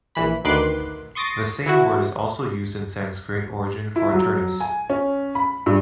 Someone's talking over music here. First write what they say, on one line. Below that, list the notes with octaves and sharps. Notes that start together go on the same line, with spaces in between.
The same word is also used in Sanskrit origin for a tortoise.
A#1 E3 B5
D2 D#3 B4 C6 D6 F#6
C6 C#6 D#6 A6 A#6 D7
E3 E4 F#4
E4
F#3
G#5
C#4
B5
G2